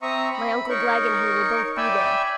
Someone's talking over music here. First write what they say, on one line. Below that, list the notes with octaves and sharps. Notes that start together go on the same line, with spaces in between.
My uncle Glegg and he will both be there.
C4 E5 A#5 C#6 D#6
B5
D#4 A#4 C#5 C#6
D5 E5 G5 G#5 B5 E6